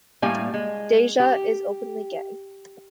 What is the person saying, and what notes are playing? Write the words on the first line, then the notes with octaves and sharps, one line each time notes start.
Deja is openly gay.
A2 G3 A#3 G#5
G#3
G4